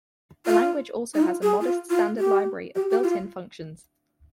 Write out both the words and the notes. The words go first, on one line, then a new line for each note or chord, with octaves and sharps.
The language also has a modest standard library of built-in functions.
F4
D#4
F4
G#4
F4
F4
G4
G4
G4
F4